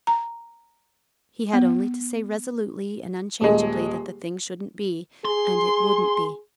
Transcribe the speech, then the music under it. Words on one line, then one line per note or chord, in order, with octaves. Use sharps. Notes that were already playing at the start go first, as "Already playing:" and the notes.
He had only to say resolutely and unchangeably that the thing shouldn't be, and it wouldn't be.
A#5
B3
D#1 G#3
G#4 C6